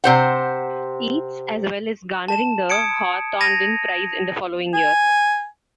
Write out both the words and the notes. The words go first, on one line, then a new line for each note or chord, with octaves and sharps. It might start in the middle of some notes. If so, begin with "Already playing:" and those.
Yeats, as well as garnering the Hawthornden Prize in the following year.
C3 C5 F#5
A5 E7
D#6 G#6 C#7 D7
G#6 A#6 D#7 F7
G#5